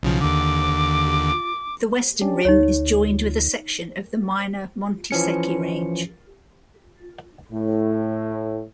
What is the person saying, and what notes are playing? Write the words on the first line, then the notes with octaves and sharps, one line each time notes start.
The western rim is joined with a section of the minor Montes Secchi range.
B1 C#3 F3
D#2 D3 D6
C#4 D4 G4
D2 D#4 G4 C#5
E3 F3 C#4 C#7
A2